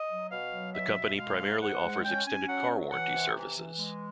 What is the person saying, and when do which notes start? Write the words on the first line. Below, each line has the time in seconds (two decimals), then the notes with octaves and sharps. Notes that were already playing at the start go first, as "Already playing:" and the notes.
The company primarily offers extended car warranty services.
Already playing: D#5
0.09 F#3
0.31 B2 F5
0.52 F#3
0.74 B2 E5
0.97 B2
1.18 G#3 F5
1.39 G#2
1.61 G#2 F#5
1.82 G#3
2.04 C#4 G5
2.26 C#4 G#5
2.48 F#3 F#5
2.70 F#3
2.91 E3 F#5
3.13 C3
3.34 E3
3.56 E3
3.78 G#3